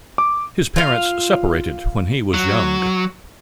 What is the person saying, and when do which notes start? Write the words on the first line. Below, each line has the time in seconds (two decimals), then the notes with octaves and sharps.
His parents separated when he was young.
0.18 D6
0.76 F4 F5
2.34 F#3